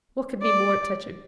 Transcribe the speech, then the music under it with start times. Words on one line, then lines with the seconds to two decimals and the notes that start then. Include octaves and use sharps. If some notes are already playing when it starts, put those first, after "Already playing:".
What could be more touching?
0.42 D5